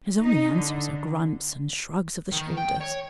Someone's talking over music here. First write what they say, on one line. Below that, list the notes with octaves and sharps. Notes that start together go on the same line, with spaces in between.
His only answers are grunts and shrugs of the shoulders.
D#4
D3
D#3
G5
C#5